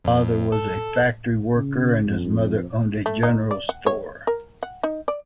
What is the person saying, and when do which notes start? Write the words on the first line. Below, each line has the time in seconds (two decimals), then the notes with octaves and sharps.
His father was a factory worker and his mother owned a general store.
0.05 F2
0.52 A4
1.56 C#3
2.07 F2
3.06 A3
3.23 D#4
3.51 D5
3.69 F#5
3.86 C#5
4.27 A#4
4.63 F#5
4.83 D#4
5.08 D5